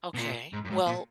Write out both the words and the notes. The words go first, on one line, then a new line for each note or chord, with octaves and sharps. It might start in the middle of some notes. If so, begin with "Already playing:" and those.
Okay. Well,
B2
A#2
G#2
F#2
G#2
A#2